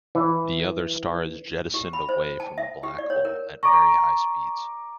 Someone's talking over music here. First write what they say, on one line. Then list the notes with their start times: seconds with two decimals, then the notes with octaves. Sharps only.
The other star is jettisoned away from the black hole at very high speeds.
0.15 E3
1.74 G4
1.93 B5
2.09 C5
2.40 A5
2.58 E5
2.83 G4
2.99 D5
3.10 C#5
3.25 A#4
3.63 D5 A#5 C#6